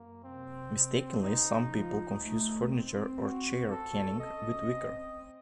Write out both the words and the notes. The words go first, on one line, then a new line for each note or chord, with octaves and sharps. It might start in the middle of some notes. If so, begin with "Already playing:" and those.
Mistakenly some people confuse furniture or chair caning with wicker.
Already playing: F#2 A#3
C3 C4
C#3 D#4
F3
A3
C4
F#4
C#4 A4
D#5
C4